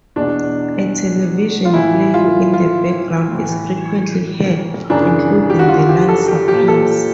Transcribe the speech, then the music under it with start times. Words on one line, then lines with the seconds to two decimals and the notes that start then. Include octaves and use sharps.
A television playing in the background is frequently heard, including the line, Surprise!
0.16 E2 B2 D4
1.65 F4
1.73 A2 E3 E4
2.14 F4
2.53 F4
3.32 A2 E3
4.90 F#2 C#3 E3 D4
5.50 G4
5.59 F#4
5.68 F4
5.89 G4
6.08 A4
6.28 G4
6.48 A#2 F3 G4
6.68 A4